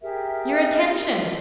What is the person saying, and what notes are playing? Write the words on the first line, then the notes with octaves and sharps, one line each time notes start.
Your attention!
G4 G#4 A#4 E5